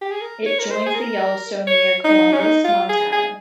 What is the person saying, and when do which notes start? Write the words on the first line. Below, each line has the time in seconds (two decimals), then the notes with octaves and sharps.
It joins the Yellowstone near Columbus, Montana.
0.02 G4
0.11 G#4
0.22 A#4
0.46 C#5
0.59 A#4
0.71 C5
0.86 G#4
0.95 A#4
1.67 C#5
2.04 D#4
2.33 C#4
2.40 D#4
2.64 F4
2.89 G#4
3.12 G#4